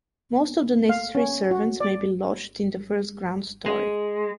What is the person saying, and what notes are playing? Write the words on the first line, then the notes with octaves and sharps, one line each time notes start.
Most of the necessary servants may be lodged in the first ground story.
F5
C#4
F#4
D5
G#3